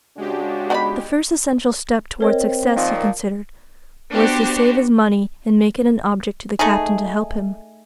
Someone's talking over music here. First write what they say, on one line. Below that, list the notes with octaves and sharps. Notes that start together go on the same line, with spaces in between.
The first essential step towards success, he considered, was to save his money and make it an object to the captain to help him.
C#3 G#3 D4 F#4 G4
B3 D#4 D5 F#5 B5
C4 A#4 C#5 D#5
A#2 D#3 F3
B3 D4 F#4 G4 C5
A3 D#4 G#4